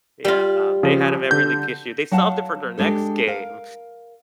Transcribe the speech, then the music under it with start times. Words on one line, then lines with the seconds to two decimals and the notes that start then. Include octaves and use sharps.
Yeah, um, they had a memory leak issue. They solved it for their next game,
0.25 G3 F4
0.83 C#3 F3
1.31 D3 G6
2.11 F#3 F5 F#5 A5
2.77 G#3 D4 G4 A4
3.27 A#4 F5